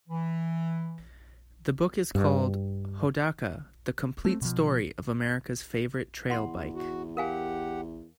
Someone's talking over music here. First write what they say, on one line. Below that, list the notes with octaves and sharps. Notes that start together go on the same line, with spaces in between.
The book is called "Hodaka: The Complete Story of America's Favorite Trailbike".
E3
G2
A3 C4
B2 F3
E2 F#5 C6
F#4
G4 A#4 F5 F#5 G#5